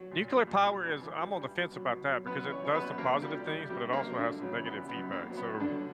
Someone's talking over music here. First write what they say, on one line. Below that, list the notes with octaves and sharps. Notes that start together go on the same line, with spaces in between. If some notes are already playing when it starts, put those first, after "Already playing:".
Nuclear power is I'm on the fence about that because it does some positive things, but it also has some negative feedback, so
Already playing: F#3
A#2
G3
A#2
G3
G2
E3
G3
G2
B2
F#3
B2
F#3
F#2 B3 B4
E3
C#4 C#5
G3 C#5
B3 B4
F#2
E2 A#3 A#4
D3
G3 G4
G3
G3 G4
E2
F#2 G3 G4
D3
A#3 A#4
F#3
D3 D4
F#2
F#2 C#3 C#4
E3
B3
G3
B3
F#2
G2 A#3
F#3
B3
G2
D3 D4
F#3